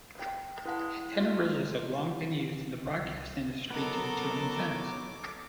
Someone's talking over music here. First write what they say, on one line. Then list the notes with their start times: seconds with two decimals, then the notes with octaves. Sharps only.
Antenna bridges have long been used in the broadcast industry to tune antennas.
0.15 B3 G5
0.66 G#3 E4 B4 F5 F#5 A5
1.19 F4 F#4
2.85 C2
3.70 F#3 B3 D#4 A4 A#4 D6